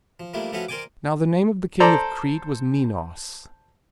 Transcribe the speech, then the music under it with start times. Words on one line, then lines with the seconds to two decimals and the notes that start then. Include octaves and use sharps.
Now the name of the King of Crete was Minos.
0.20 F3
0.34 F3 G3 A3 A#3 D4 E4
0.52 F3 A3 C#4 F#4 B4 F5
0.68 A#4 C5 D5 G5 G#5 D6
1.80 A4 C5 D5 A#5